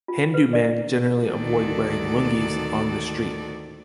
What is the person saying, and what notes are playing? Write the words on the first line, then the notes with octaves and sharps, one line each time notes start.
Hindu men generally avoid wearing lungis on the street.
F4
B4
D5
D2 D#3 F#4 A4 D5